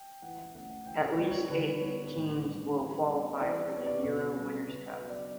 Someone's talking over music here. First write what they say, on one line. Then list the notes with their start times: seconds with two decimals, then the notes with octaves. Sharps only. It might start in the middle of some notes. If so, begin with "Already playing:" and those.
At least eight teams will qualify for the Euro Winners Cup.
Already playing: G5
0.22 E3 F#5
0.38 E5
0.55 A3 C#4 F#5
0.70 F#5
0.86 E3 G5
1.07 C#5
1.18 G3 C#4
1.29 C#5
1.50 D3 B4
1.81 G3 B3 C#5
2.13 A2
2.44 G3 D4
2.77 E3
3.08 G3 B3 D4
3.40 E3 D5
3.72 B3 D4 C#5
3.86 D5
4.00 B2 C#5
4.36 G3 C#4
4.67 C#3 B4
4.88 B4
4.99 F#3 B3 D4
5.10 D5